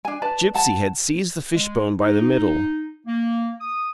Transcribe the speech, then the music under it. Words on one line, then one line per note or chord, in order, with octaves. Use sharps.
Gipsy had seized the fishbone by the middle.
D4 G#5
B4 D5 A5
F#5 A5
G#3
D#4
A#3
D#6